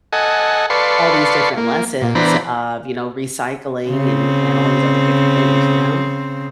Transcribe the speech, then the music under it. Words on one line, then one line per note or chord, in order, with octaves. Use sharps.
All these different lessons of, you know, recycling and and all these other different things, you know?
A4 D#5 F#5 G#5
A4 B4 D5 F5 C6 C#6
A#3
A#2
E3 B3 D4 C5 A#5 B5
C#3 C4